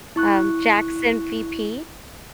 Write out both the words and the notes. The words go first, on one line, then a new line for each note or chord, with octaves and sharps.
um, Jackson VP.
E4 C#6 F#6